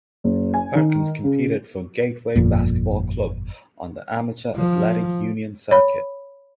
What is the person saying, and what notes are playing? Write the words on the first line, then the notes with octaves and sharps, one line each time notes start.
Perkins competed for Gateway Basketball Club on the Amateur Athletic Union circuit.
F#1
G#5
D#3
C#3
G1 F2 A#2
F3
C#5 B5